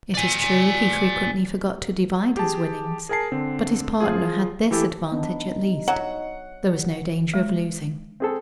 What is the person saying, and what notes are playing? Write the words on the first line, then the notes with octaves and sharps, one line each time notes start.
It is true he frequently forgot to divide his winnings, but his partner had this advantage, at least: there was no danger of losing.
D5 G#5
G4 G#4 A5
G#4 A#4 G#5 A5 C7
D3 C4
F3 F4 G#4
E3 E4 G4 A4
B3 D4 D#4 D5
F#3 F#5
G#3
C4 G#4 A4